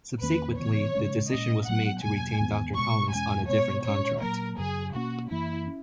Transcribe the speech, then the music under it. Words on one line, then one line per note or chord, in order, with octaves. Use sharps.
Subsequently, the decision was made to retain Doctor Collins on a different contract.
E2 D#3 A#3 C#4 B4
C#3 E3 B3 C#5
C#3 G#3 C#4
A#2 G#3 C#4 D#5
A#2 F#3 B3 F#5
E2 B2 F#3 A#3 G#5
E2 D#3 G#3 B3
B2 G#3 B3 C#6
E2 B2 G#3 C#4 G#5
B2 G#3 B3 C#5
A#2 G#3 C#4 C#5
A#2 F#3 A#3 A#4
F#2 C#3 F#3 G#4
B2 A#3 C#4 F#4
F#2 E3 A#3 E4
C#4